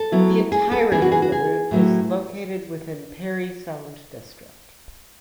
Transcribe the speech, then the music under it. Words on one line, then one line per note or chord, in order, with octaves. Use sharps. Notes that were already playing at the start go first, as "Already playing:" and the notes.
The entirety of the route is located within Parry Sound District.
Already playing: A4
F#3 B3 E4
G#4
A4
E3 B3 D4 G#4
F#4
G#4
F#4
G#4
A2 F#3 A3 E4